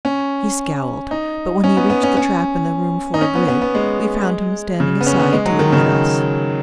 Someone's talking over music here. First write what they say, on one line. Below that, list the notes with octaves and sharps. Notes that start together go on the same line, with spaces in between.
He scowled, but when we reached the trap in the room floor grid, we found him standing aside to admit us.
C#4
D#4
C#4
B3
B3
C#4
C#4
D#4
C#4
B3
B3
B3
G#3
C#3
B3
C#4
B3
G#3
F#3
D#3
C#3